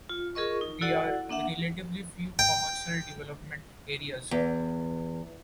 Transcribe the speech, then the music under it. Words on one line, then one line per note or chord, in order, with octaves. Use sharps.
There are relatively few commercial development areas.
F4
F4 G#4 A#4 D#5 C#6
D#4
E4 F#4 A4 D5 F#5
A#3 D4 E5 F#5
G5
E2